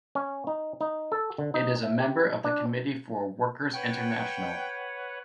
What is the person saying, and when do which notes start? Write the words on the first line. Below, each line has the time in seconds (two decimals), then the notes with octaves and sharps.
It is a member of the Committee for a Workers' International.
0.15 C#4
0.47 D#4
0.81 D#4
1.12 A4
1.38 D3
1.54 D#4
1.83 E5
2.00 G4
2.44 D4
3.74 B4 C#5 F#5 G5